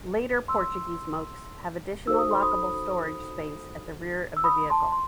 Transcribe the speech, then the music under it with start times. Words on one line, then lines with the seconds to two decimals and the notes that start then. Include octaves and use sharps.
Later Portuguese Mokes have additional lockable storage space at the rear of the vehicle.
0.48 C6 E6
2.07 D#4 F#4 A4 C5 E6
2.18 D#6
2.31 C6
2.42 B5 D#6
4.37 E6
4.44 B5 D#6
4.70 A5 C6
4.92 C6